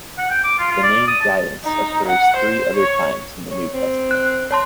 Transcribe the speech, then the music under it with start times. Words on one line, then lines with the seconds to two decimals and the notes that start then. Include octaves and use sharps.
The name Gaius occurs three other times in the New Testament.
0.18 F#5
0.30 G5
0.44 D6
0.59 F4
0.71 F4
0.83 D5
1.08 D#6
1.21 A5
1.65 D#4
2.07 F#5
2.36 C5
2.76 C#5
3.51 C#5
3.73 C4
4.11 F#6
4.51 C#5 A5 C6